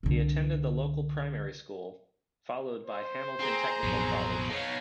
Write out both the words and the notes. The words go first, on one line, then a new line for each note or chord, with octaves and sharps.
He attended the local primary school, followed by Hamilton Technical College.
C2 D3
C5
C4 G#4 A#5
A1 F2 B2 F#3
B3 D#4 C#5 F5